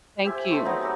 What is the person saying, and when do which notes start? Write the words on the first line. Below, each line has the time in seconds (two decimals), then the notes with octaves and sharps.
Thank you.
0.24 G4 C5 E5 G#5
0.37 G#5
0.51 A3 C4 C6 C#6
0.65 F#3 B3 C4 D#4
0.80 G#3 G4 E6